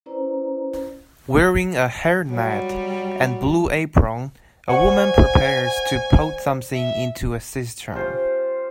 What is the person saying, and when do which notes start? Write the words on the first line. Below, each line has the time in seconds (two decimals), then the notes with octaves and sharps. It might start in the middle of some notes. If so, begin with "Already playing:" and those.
Wearing a hairnet and blue apron a woman prepares to pout something into a cistern.
0.06 C#4 E4 B4 C5 D5 A#5
2.31 F#3 G3
4.69 C5 D5 F#5 G#5 C#6
6.74 E5
7.92 C#4 F4 G4 C5